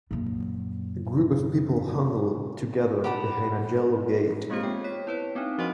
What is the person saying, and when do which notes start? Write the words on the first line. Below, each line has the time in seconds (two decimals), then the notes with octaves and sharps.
A group of people huddled together behind a yellow gate.
0.11 F#2 A#2
3.04 G4 F#5 A5 B5
4.50 G#3 A#3 C4 F4 G4 C5
4.63 B3 G5
4.84 C#5 B6
5.07 E4 B4 C#5
5.35 B3 C4 D4 D#4
5.58 F3 F#4 C5 D#5 F#5 C6